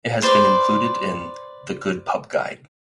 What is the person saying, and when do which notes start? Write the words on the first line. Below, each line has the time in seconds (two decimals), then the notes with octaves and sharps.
It has been included in "The Good Pub Guide".
0.22 B4 C5 D5